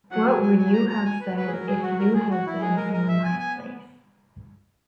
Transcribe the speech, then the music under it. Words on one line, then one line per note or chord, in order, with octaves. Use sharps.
What would you have said if you had been in my place?
F#3 F#5
G#5
G#5
G#5
A#5
A#5
G#5
B4
F#3 B4
G#4
A#4
G#4
F#4
A#4
G#4
F#4
E4
G#3 G#4
A#4
A#4
E5
B3 G#5
G#5